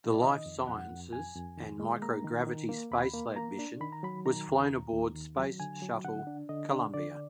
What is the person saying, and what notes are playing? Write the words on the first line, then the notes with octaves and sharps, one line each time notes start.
The Life Sciences and Microgravity Spacelab mission was flown aboard Space Shuttle "Columbia".
D5
D#3 D#5
F2
F2 F#5
F2
F2 G#5
F2
D#3
G#3
A#3 A#5
D#3
D#3
A#3
D#2 B5
A#3
A#3 A#5
D4
D#3 B5
A#5
F#3 B5
D#3 A#5
D#2
D#2
D#2
D#3
F#3
D3 G#5
F#3
D3 F#5
D4
D3 D#5
D4
D3 D5